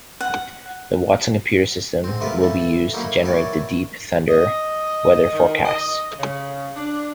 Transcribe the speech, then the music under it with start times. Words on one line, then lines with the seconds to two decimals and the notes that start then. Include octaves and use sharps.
The Watson computer system will be used to generate the Deep Thunder weather forecasts.
0.21 F#5
2.04 G#2 C4
2.20 C3 A3 B3 F4 A#4 B4
2.39 F2 E3 A4
2.93 F#3 A#3 D#4 E4
3.24 D#3 E3 F#4 C#5 D5
4.29 D#5
5.32 D#3
5.65 D#5
6.19 C#3
6.76 D4